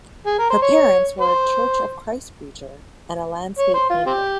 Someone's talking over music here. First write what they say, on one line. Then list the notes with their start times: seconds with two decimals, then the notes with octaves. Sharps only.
Her parents were a Church of Christ preacher and a landscape painter.
0.26 G#4
0.39 A#4
0.50 C5
0.62 C#5
1.20 C5
3.59 C#5
3.74 C5
3.90 F4
4.06 C4 G4